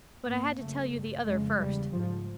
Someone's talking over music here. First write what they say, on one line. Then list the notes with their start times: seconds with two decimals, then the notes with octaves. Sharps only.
But I had to tell you the other first.
0.24 G#2 A#3
0.57 F#2 C#3 A3
0.92 G2
1.24 F2 C#3 G#3
1.58 E2 C#3 G3
1.92 G#2 F3